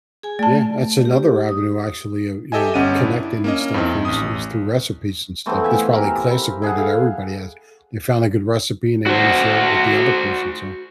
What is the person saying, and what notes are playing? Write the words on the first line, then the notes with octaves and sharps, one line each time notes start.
Yeah, that's another avenue actually of, you know, connecting and stuff is is through recipes and stuff, that's probably classic way that everybody has, they found a good recipe and they wanna share it with the other person, so
G#4 G#5
A3 D5 A5
G4
D#6
G4 A4 D#5 E5 G#5
G1 C#4 F#5 D#7
D4 E4
A#3 C#4 D#5
F2 C4 D#4 E4
A1 D#6
E3 A3 B3 C4
E5 F5 G#5
G4 A#4
B5
E4 G#4 A4 F#5
F5
F#4 C5